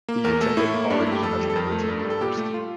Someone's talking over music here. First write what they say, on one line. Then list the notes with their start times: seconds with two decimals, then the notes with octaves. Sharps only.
He attended college at Liberty University.
0.09 A#3
0.25 E2 A#4
0.41 A3 A4
0.57 A2 E4
0.74 A#3
0.90 G2 D4
1.01 E4
1.07 A3
1.12 G4
1.23 F2 A4
1.39 G3
1.50 A4
1.56 F2 A#4
1.72 A3
1.84 A4
1.88 G2 A#4
1.99 A4
2.05 G3
2.10 A4
2.21 A#2 G4
2.37 A3
2.54 F4